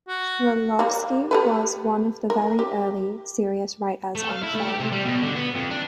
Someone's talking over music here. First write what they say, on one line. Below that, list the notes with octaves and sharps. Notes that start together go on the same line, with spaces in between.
Shklovsky was one of the very early serious writers on film.
F#4
G3 A#3
G4 A4 B4
A#4
G4
A3
F5
E4
A3
G4
C3
G3
B2
D3
B3
F2
D4